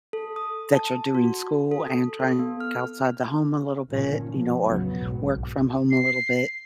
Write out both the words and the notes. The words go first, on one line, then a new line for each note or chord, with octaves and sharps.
that you're doing school and trying c outside the home a little bit, you know, or work from home a little bit,
A4
D#6
A5
F#4
A4
A4
B3
F6
G1 A#2 D#3 F3 C#4
F3
A1 E2 C#3 F#3 B3
B1 G#2 B2
C7